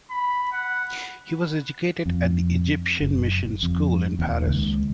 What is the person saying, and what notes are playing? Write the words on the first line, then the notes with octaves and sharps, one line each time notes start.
He was educated at the Egyptian Mission School in Paris.
B5
F#5
F2
F#1
F2
D#2
C#2